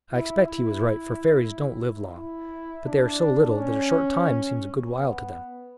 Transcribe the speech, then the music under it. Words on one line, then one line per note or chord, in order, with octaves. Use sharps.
I expect he was right, for fairies don't live long, but they are so little that a short time seems a good while to them.
E4
E4
E4
D4
C#4
B3